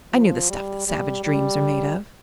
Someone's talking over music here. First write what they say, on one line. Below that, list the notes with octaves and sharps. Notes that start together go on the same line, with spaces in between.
I knew the stuff that savage dreams are made of.
F3
G3
G3
G3